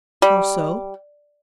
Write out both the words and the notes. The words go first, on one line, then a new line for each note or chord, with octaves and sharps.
"How so?"
G3